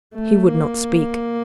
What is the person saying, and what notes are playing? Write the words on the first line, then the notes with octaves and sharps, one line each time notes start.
He would not speak.
A3
A#3